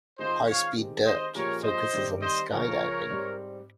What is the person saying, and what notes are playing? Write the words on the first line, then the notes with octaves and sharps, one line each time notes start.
"High Speed Dirt" focuses on skydiving.
D#3 G#3 C4 F4 G#4 C5 D#5
C#5 F5
D#3 G#3 C4 G4
C5 D#5
A#2 F3 G#3 C#4 G4 A#4 C#5
C5 D#5
D#3 G3 C4 G4
C5 D#5
C#2 C#3 F3 A#4 C#5
G#2 G3 C4